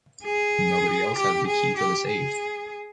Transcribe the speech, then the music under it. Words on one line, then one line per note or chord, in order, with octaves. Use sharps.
Nobody else has the key for the safe.
G#4
G4
G#4
G4
G#4